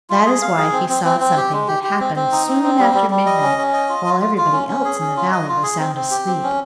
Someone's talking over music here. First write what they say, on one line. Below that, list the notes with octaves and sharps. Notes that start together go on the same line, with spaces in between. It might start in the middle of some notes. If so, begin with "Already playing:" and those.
That is why he saw something that happened soon after midnight, while everybody else in the valley was sound asleep.
F4
G#4
F5
G#4
C4
C4
C4
C4
G4
G#3
G4
G4
C4
C4
D#4
C4
C4
G3
G3
G3
D#5
C#4
C#4
D#5
F4
F4
F4
F4
C#4
C#4
G#4
C#4
F4
D#5
F4
G#4
C4
C4
G4
C4
C#4